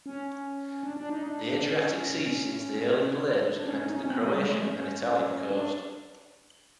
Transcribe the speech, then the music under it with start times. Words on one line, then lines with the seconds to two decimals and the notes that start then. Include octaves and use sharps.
The Adriatic Sea since the Early Middle Ages connected the Croatian and Italian coast.
0.06 C#4
0.83 D4
0.97 D4
1.09 D#4
1.23 D4
1.61 C#4
3.56 D4
3.66 C#4
3.76 C#4
3.86 D#4
3.95 C#4
4.05 C4
4.14 B3
4.25 A3
4.34 G3
4.44 G#3
4.54 A3
4.63 C#4
4.74 C#4
5.51 D4